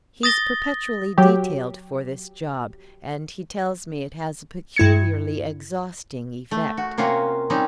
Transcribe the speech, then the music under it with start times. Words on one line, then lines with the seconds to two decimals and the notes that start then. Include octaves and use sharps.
He's perpetually detailed for this job, and he tells me it has a peculiarly exhausting effect.
0.23 D#6 A6 A#6 G7
1.18 F#3 G4
4.76 G2 E4 G#6 C#7
6.51 A3
6.77 F#4
6.98 C3 A#3 C#4 F4 F#4
7.50 G3 C4 C#4 D#4